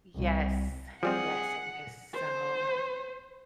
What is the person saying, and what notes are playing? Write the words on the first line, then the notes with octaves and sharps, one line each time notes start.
Yes, yes, and it is so
C2
F3 G3 C4 G#4 F#5
C5